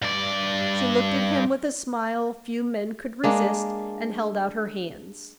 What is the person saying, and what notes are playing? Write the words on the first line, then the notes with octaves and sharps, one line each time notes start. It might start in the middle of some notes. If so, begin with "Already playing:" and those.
She looked at him with a smile few men could resist, and held out her hands.
G2 D5
G#3 A#3 D4